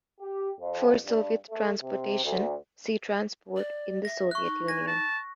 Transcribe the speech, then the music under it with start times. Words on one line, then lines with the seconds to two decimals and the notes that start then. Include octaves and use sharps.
For Soviet transportation, see Transport in the Soviet Union.
0.21 G4
0.59 F2
1.04 G2
1.51 A3
1.82 C3
2.24 D2
3.56 D5
4.05 E5 A#6
4.31 C#6 F#6
4.44 D#4
4.68 G#5 A#6
4.87 A5